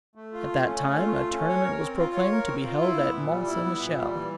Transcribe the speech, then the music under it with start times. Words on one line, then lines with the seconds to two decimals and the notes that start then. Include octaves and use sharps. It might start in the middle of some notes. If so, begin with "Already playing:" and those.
At that time a tournament was proclaimed to be held at Mont St. Michel.
0.15 A3
0.33 F4
0.49 A3
0.66 C#4
0.82 A3
0.98 F4
1.16 A3
1.32 C#4
1.48 C#5
1.65 A#4
1.81 C4
1.98 F4
2.15 C#5
2.31 A#4
2.47 C4
2.64 F4
2.80 E4
2.97 B3
3.14 A#2
3.30 G3
3.46 E4
3.62 B3
3.79 A#2
3.96 G3
4.12 E3